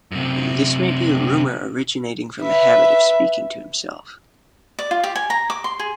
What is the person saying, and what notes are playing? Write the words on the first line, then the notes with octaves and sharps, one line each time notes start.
This may be a rumour originating from a habit of speaking to himself.
F#2 C3
B4 E5
D5
F4
G4
G#5
A#5
D6
C6
G#4